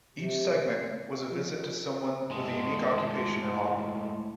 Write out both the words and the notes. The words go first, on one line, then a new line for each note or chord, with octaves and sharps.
Each segment was a visit to someone with a unique occupation or hobby.
C3
F3
A2 G#3